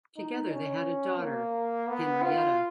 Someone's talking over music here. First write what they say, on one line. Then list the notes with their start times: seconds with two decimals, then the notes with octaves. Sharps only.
Together they had a daughter, Henrietta.
0.17 D#4
0.52 C#4
1.20 A#3
1.89 B3
2.23 F4